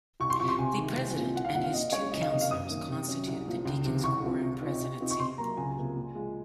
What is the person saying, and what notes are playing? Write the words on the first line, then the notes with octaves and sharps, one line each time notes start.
The president and his two counselors constitute the deacons quorum presidency.
C2 C#6
C6
C3 F3 C#6
C6
C3 G#5
D#3 G#3
C2
A#2 F3 C4
C2 F#5
F5
A#2 F3 C4 F#5
F5
A#2 D#5
G#3 C#4 C#5
C#2 D#5
F5
C3 D#3 A#3 D#5
F5
F#2 D#6
D#3 A#3 C#4
C3
F#3 C#4
C2
A#2 F3
C#2
C3 D#3
C2 C#6
C3 F3 C4
C3
F3 C4 D#4
C3
F3 C4 D#4
C#6
C3 C6
F#3 A#3 A#5
C#2 G#5
C3 F3 A#3
A#2
F3 G#3